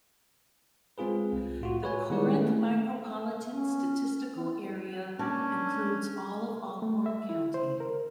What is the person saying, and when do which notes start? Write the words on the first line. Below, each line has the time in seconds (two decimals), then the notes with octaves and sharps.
The Corinth Micropolitan Statistical Area includes all of Alcorn County.
0.98 G#3 C4 F4 G#4 B4
1.33 C2
1.61 A2 F4 F#4
1.84 B4 C#5 G#5
2.10 D#3 G3 G#3 E4 C#5 D5
2.40 A3
3.51 C#4
4.35 E3
5.19 A#3 C#4 D4 A5
6.82 A3
7.06 E5
7.29 E4
7.54 C5
7.80 A#4